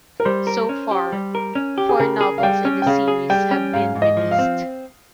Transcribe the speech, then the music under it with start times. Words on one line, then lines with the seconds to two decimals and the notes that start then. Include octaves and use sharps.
So far four novels in the series have been released.
0.20 A#4
0.25 G3 C5
0.47 A#4
0.69 C#4
0.91 G4
1.12 G3
1.35 A#4
1.55 C#4
1.78 G4
1.89 G#4
1.99 C#3 A#4
2.21 G#4
2.38 F5
2.43 G3 G5
2.65 C#4
2.82 G5
2.87 C#3 F5
3.08 G#4
3.30 G3 G5
3.51 C#4
3.73 G#2 F5
3.95 G#2
4.02 D#5
4.17 F3
4.31 F5
4.39 C4